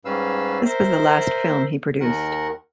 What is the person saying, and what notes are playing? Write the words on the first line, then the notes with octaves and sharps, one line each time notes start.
This was the last film he produced.
G#2 G3 C#4 B4 F5 E6
A#4 C5 E5
D#2 D#3 A#4 F#5